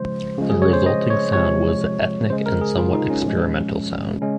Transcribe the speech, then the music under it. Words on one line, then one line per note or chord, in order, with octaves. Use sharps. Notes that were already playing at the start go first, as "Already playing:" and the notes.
The resulting sound was a ethnic and somewhat experimental sound.
Already playing: C#3 F3 G#3 C5
C#3 F3 G#3
G#4
C#5
C5
D#5
C#5
C3 F3 G#3 C#5
C#3 G#3 C5
A#4
G#4
F4
D#4
C#4
A#2 F3 G#3
C#3 G#3 C#4